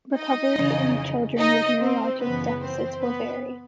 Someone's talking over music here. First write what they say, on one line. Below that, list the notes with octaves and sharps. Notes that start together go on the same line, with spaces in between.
Recovery in children with neurologic deficits will vary.
D#4 D#5
F2 C#3 E3
D#4 D#5
C4 C5
F#2 C#3 E3 B3 B4
C4 C5
B3 B4